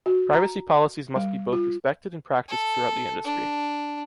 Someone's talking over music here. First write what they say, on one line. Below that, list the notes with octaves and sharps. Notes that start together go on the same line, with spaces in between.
Privacy policies must be both respected and practiced throughout the industry.
F#4
A#5
G3
F4
A4
D4